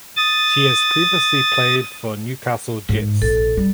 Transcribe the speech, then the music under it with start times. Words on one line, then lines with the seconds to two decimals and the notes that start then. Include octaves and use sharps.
She has previously played for Newcastle Jets.
0.17 D#6 A6
2.89 G#2
3.22 A#1 A4
3.57 G3